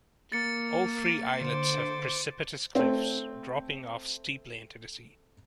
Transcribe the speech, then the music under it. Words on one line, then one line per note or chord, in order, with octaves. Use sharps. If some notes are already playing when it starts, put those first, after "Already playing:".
All three islets have precipitous cliffs, dropping off steeply into the sea.
A#3 A6 C#7
D3 C5 D6
A3 C4